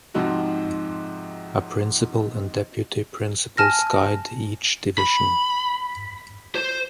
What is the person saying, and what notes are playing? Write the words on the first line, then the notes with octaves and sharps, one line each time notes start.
A principal and deputy principals guide each division.
G#2 C3 F3 D#4 F#4
G#5 A5 F6 A#6
B5
C5